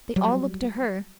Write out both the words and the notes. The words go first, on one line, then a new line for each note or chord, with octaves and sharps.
They all looked to her.
F#3 G3